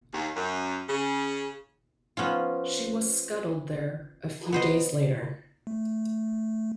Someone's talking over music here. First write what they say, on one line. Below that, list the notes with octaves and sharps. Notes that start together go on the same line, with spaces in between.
She was scuttled there a few days later.
D#2
F#2
C#3
F3 B3 C#4 F4
B3 C5 D#5
A3